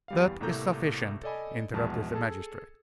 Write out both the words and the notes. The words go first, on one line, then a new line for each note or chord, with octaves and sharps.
"That is sufficient," interrupted the magistrate.
E2 G3 F5
C2 A2 A#3 A4 A#5 G6
A4 D5 D#5 G#5 B5
A#1 E2 B2 G#3 B3 A5
G#4 A4 A5